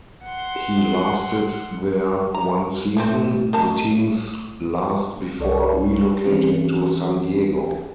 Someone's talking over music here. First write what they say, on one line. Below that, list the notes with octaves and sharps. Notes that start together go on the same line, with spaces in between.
He lasted there one season, the team's last before relocating to San Diego.
F#5 C6
A#5
A2 E3 A3 C4
D#3 A#3 A5
C2 A4 C#5 D5 C#6
E3 F3 C4 C#4 G#4